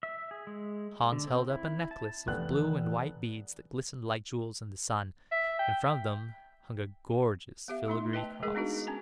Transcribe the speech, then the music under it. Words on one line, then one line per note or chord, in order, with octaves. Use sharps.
Hans held up a necklace of blue and white beads that glistened like jewels in the sun, and from them hung a gorgeous filigree cross.
E5
G#4
G#3
D3
C4
E4
A5
F1 E3 B3 F#6
E5
G5
B3 G4 E5
A3 D#4 C6
B4 D#5 G5 A5
G#3 G#4 A#4 D#5
B3 D4 D#4 F#4 A#4
C#4 A5 A#5